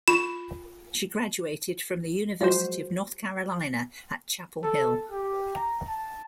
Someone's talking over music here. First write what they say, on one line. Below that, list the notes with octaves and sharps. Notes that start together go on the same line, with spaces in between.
She graduated from the University of North Carolina at Chapel Hill.
F4 B5 E7
F3 F#3 G#3 F#4 C5
A4
G4
A#5
A5